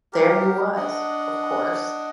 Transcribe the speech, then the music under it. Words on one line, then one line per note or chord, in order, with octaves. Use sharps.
There he was, of course.
G4 A#4
D4 D#5 F#5